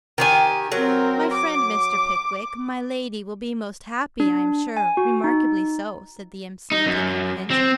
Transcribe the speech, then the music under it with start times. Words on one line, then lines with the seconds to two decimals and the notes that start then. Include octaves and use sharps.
'My friend Mr. Pickwick, my Lady, will be most happy, I am sure, remarkably so,' said the M.C., taking the hint.
0.18 D#3 G4 G#5
0.72 F#3 C4 A#4
1.33 D6
4.20 D4
4.77 G#5
4.97 F#4
5.24 D#4
6.72 D#4
6.86 F#2
7.51 C4